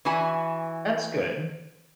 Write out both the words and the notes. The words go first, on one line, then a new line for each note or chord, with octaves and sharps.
That's good.
E3 E4 F#4 G#5